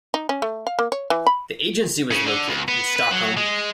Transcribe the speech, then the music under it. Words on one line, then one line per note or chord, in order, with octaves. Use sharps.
The agency was located in Stockholm.
D#4
C#4
A3
F5
A#3
C#5
E3
B5
C#3
D3
C#2
B3
B4
F#3
G#3